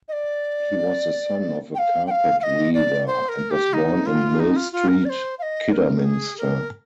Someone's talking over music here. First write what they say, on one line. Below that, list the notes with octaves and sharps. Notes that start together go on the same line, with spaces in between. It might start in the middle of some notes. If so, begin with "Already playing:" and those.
He was the son of a carpet-weaver, and was born in Mill Street, Kidderminster.
D#5
D5
G5
F5
G5
F5
F5
D#5
D5
C5
A#4
G4
D#4
F4
D#4
F4
F4
A#4
D5
C5
F5
D#5
A#4
G#4
A#4